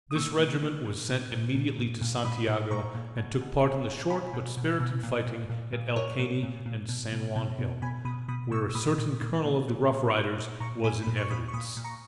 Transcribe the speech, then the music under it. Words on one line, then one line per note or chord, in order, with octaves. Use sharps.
This regiment was sent immediately to Santiago, and took part in the short but spirited fighting at El Caney and San Juan hill--where a certain Colonel of the Rough Riders was in evidence.
D#6
A#2 C#6 E6
A#2
A#2
A#2
A#2
A#2
A#2
A#2
A#2
A#2 B5 D#6
A#2
A#2 A#5 C#6
A#2
B2
B2
B2
B2
B2 G#5 B5
B2
B2
B2
A#2
A#2
A#2
A#2
A#2 A#4 C#5
A#2
A#2
A#2
B2
B2
B2
B2
B2 G#5 B5
B2 B5 D#6
B2 B5 D#6
B2 C#6 E6
E6
A#2 B5 D#6
A#2
A#2
A#2
A#2
A#2
A#2
A#2
A#2 A#5 C#6
A#2 G#5 B5
A#2 B5
C#6
A#2 B5 D#6
C#6
A#2 B5 D#6
A#2
A#5 C#6